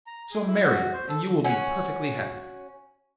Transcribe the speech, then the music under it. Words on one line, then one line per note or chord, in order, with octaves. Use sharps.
So marry, and you will be perfectly happy.'
A#5
G#4
E4
F#4
C5
A4
C#4 F#4